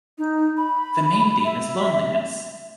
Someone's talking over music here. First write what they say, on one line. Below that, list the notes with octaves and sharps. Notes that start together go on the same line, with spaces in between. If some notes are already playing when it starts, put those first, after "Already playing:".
The main theme is loneliness.
D#4
B5
E5